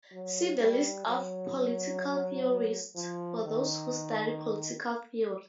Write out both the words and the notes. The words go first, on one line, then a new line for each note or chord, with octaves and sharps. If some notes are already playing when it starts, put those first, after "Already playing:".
See the list of political theorists for those who study political theory.
F#3
G3
F#3
F3
D#3